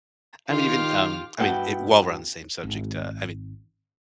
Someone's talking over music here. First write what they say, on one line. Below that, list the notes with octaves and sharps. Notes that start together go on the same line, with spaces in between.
I'm even, um, I mean, it while we're on the same subject, uh, I mean,
D#3 F4 G4 F5 F6
G2 B3 E4 F#4 G5 A5
G#1